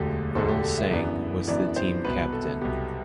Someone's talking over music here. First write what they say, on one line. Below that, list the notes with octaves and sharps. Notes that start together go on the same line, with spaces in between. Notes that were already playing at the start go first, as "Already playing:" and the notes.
Earl Sang was the team captain.
Already playing: E1 D2 D3 F#3 G4
E1 D2 D3 F#3 A4
G4
A4
E5
F#2 E3 B3 D4
F#2 E3 B3 D4 D5
C5
C2 B2 F#3 B3 B4
A4
C2 B2 F#3 B3 G4